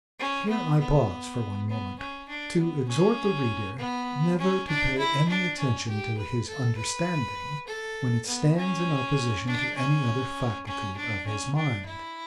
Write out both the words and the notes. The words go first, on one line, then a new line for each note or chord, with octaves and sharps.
Here I pause for one moment, to exhort the reader never to pay any attention to his understanding when it stands in opposition to any other faculty of his mind.
C#4
B3
B3
B3
C#4
D4
B3
C#4
B3
C#4
D4
E4
D4
C#4
G4
B4
A4
B4
A4
B3
C#4
D4
C#4
C#4
D4
C#4
D4
E4